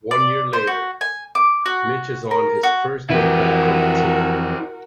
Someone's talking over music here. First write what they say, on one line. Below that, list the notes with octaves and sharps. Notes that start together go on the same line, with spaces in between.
One year later, Mitch is on his first day back on the team.
D5
C5
F#4
G#5
D6
F#4
A#4
F#4
F2 E3 E4 F#4 G4 A#4 B4